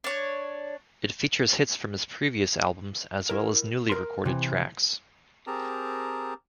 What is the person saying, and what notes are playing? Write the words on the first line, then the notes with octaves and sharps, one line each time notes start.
It features hits from his previous albums, as well as newly recorded tracks.
D4 C#5
E4 A#4
A#4 C6
C3 E3
C4 G4 G#4 A#4 A5 A#5